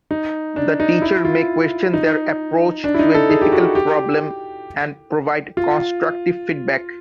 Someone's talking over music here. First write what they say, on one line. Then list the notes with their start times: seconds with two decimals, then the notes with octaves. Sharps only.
The teacher may question their approach to a difficult problem and provide constructive feedback.
0.11 D#4
0.56 D4
0.80 D#4
1.02 E4
1.25 F4
1.94 D#4
2.84 D4
2.94 E4
2.99 D#4
3.14 A4
3.29 G#4
3.41 G4
3.52 F#4
3.75 G4
5.57 F4